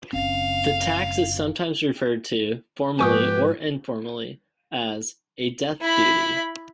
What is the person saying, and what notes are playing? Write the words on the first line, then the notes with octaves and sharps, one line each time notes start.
The tax is sometimes referred to, formally or informally, as a "death duty".
F#1 C4 C#4 F5
G#2 F3 B3 G4 B4 G#5 C#6 D#6
E4 B5